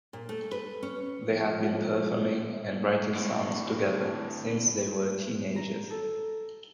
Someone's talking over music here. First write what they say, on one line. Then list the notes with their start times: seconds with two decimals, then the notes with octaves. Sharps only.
They have been performing and writing songs together since they were teenagers.
0.13 A#2
0.29 A3
0.52 B4
0.83 C#4
1.28 F3
3.15 D2 A2
5.56 A#5
5.90 A4